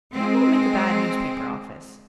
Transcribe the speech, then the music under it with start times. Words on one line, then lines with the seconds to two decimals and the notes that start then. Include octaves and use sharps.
It won't make a bad newspaper office.
0.13 G#3 C4